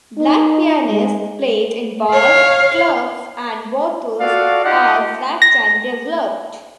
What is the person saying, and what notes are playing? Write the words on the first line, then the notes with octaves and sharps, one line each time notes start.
Black pianists played in bars, clubs, and brothels, as ragtime developed.
D#4
G#3
C#5 F5
F4 F#4 A4 D5 F5
D#4 F4 G4 D#5 F#5
A#6